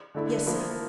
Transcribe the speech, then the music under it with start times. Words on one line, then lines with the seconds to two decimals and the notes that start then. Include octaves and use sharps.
"Yes, sir."
0.15 D3 A3 E4
0.46 F3 A#3 E4